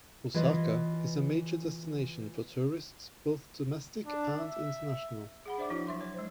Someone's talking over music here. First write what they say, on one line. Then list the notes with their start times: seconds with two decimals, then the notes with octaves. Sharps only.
Osaka is a major destination for tourists, both domestic and international.
0.34 E3 F4 B4 C#5 D#5
4.06 D4
4.40 E5
5.46 G#4 F#5 B5
5.58 D4 C5 D5 E5 F#5 D6
5.70 F3 E4 F#4
5.87 F#3 E5 C6
6.01 C#5
6.14 G#3 C5